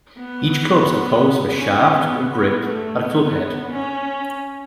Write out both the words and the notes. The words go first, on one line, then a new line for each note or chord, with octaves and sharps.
Each club is composed of a shaft with a grip and a club head.
B3
C#4
B3
B3
A3
B3
C#4